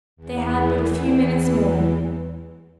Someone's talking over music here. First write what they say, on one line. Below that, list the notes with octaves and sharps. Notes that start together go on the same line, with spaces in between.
They had but a few minutes more.
E2 E3